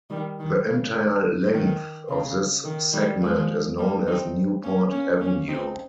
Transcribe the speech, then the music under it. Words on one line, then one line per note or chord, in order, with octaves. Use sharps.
The entire length of this segment is known as Newport Avenue.
D#3 G3
D#3
C#3
D#3
C#3
D#3
D#3 G3
F3 G#3
G3 A#3
C4 D#4
A#3 C#4
A#3 C#4
A#3 C#4
C4 D#4